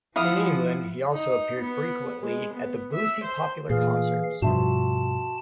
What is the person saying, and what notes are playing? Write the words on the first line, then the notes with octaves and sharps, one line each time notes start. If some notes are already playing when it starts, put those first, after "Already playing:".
In England he also appeared frequently at the Boosey popular Concerts.
F3 E4 F5 F#5 D#6
D#4
B3
G#3
B3
E5
C5
A#2 E3 G#4 F5 F6
G2 B2 F3 F#4 E5 A5 C6